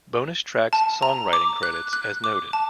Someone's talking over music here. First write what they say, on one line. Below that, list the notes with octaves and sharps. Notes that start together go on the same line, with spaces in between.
Bonus tracks songwriting credits as noted.
A5
A#5
D6
F#6
F#6
D6
A5